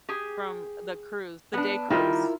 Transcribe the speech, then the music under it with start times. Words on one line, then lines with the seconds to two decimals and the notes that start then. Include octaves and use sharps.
from the cruise the day cruise.
0.09 G4 G#4
1.53 B3 D4
1.90 D#3 G3 E4 F4 A#4